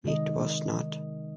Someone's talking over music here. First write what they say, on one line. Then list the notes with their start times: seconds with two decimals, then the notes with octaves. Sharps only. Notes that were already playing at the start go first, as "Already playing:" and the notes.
It was not.
0.04 C3 D#3 G#3 D#5